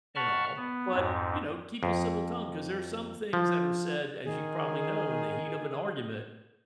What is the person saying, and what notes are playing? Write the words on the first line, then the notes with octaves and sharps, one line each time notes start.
and all, but, you know, keep a civil tongue, 'cause there are some things that are said, as you probably know, in the heat of an argument,
F#5 A5 B5 C#6 F6
B3
F2 G#2
F2
F3
D#3 G#4